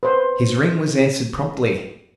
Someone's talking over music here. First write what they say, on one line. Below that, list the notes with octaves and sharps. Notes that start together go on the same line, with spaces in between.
His ring was answered promptly.
B4 C5